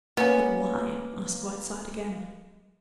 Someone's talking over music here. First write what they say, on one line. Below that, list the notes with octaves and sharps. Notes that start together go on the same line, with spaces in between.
"But why?" asked Whiteside again.
A#3 B3 C#4